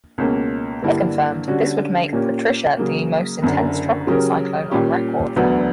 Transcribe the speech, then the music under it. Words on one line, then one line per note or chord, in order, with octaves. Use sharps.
If confirmed, this would make Patricia the most intense tropical cyclone on record.
C#2 B2 A#3 C#4
G2 D3 A#3 E4 G4
D3 G3 C#4 F#4
A#2 A#3 C#4 G4
C#3 F#3 A#3
F#1 F#2 D3
C#3 F#3 C#4 G4 A#4
A#2 G3 C#4 G4
E1 D2 D3 F#3 B3